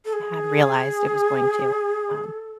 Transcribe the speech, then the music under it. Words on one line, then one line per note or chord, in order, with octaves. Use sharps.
had realized it was going to, um
A4
G#4
A4